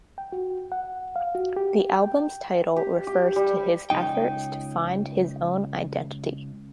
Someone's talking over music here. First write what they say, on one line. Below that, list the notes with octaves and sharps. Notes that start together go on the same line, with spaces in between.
The album's title refers to his efforts to find his own identity.
G5
F#4
F#5
F5
F#4
G4
G5
G4
G4
G3
C#2 E3 D#4 G5